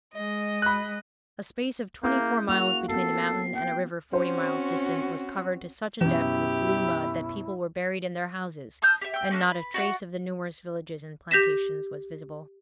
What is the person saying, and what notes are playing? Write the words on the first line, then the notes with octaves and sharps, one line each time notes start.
A space of twenty-four miles between the mountain and a river forty miles distant was covered to such a depth with blue mud, that people were buried in their houses, and not a trace of the numerous villages and plantations was visible.
G#3 D#5
B5 F#6
A#3 C#4 E4 G#4 G6
A#3 F#4 F7
B3 C4 F#4 A4 C7
G5
C4 C#4 F#4 C5
F#2 B2 E3 E4 G4
A5 D#6 F6 G6
G4 E5
G5 E6
A#3 C#4 A4 F#6
B4
F#4 D5 F5 F#5
G4 G6 A#6 B6 E7